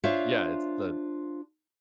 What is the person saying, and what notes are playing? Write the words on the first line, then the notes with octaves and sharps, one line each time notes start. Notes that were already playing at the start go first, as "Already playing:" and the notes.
Yeah, it's the
D4 F4 C5 C#5 E5 F5